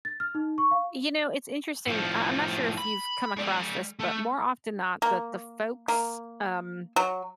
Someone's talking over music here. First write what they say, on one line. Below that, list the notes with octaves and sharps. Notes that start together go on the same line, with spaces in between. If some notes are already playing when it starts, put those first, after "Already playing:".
you know, it's interesting, I I'm not sure if you've come across this, but more often not, the the folks, um,
A6
F6
D#4
C#6
F5
A2 F3
B5
G#3 D5
A3
A#3
A#3
F#3